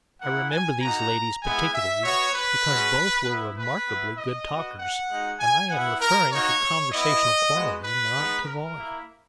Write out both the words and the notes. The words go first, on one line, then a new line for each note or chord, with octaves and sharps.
I remember these ladies particularly because both were remarkably good talkers--and I am referring to conversational quality, not to volume.
A#3 E4 F#5
G#5
A#3 D#4 F#4 A#5
G#3 B3 E4 G#5
E5
B3 F#4 C#5
B4
G#3 C#4 F#4
B3 E4
B4
B3
E4
D#5
B3 F#4
F#5
G#3 D#4 F#4
G#5
B3 E4 F#5
A#4
A#3 D#4 F#4 C#5
B3 E4 D#5
G#3 B3 F#4
B4
G#3 B3 D#4
A#4
A#3 E4